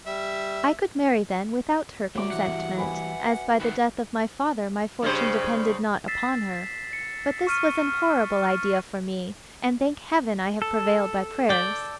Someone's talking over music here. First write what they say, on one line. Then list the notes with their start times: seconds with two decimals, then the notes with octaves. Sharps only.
I could marry then without her consentment, as by the death of my father my fortune depended not upon her; but this was an horrible idea for me, and thank heaven I have prevailed by prayers.
0.06 G3 E5
2.15 F#3 A3 D5 E5 D6
2.30 E3 G3 F#5
2.77 B4 G#5 B5
3.60 D#3 F#4 A4 B4
5.02 G2 C#3 C5
6.08 E6 A6 B6 C7 E7
6.93 C#7
7.47 C#6 F6 D#7
10.62 A4
11.49 D5 G5